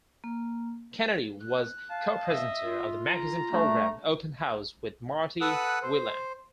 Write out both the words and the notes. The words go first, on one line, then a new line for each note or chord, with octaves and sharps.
Kennedy was co-presenter of the magazine programme "Open House" with Marty Whelan.
A#3
F#6
F5 A5
D#5 E5
F4
A#5
G3 A3 D4
A4 B4 F#5 D#6 E6 F#6
C5